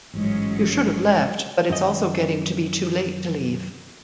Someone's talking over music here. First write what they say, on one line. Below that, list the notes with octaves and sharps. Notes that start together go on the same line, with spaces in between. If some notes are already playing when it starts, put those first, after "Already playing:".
You should have left, but it’s also getting to be too late to leave.
A1 G#2 F#3 G#3 C#4
F#2 D#3 D#5